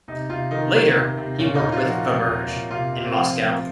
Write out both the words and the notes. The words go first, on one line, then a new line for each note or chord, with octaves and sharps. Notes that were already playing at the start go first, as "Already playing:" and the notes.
Later he worked with Faberge in Moscow.
C3 D#4
C3 F4
D#3 D#4
D#3
C3
C3
A#2 C#4
D#4
A#2
F4
F3
F#4
F3
A#2
A#2
C3 F4
C3
C4
F3
F3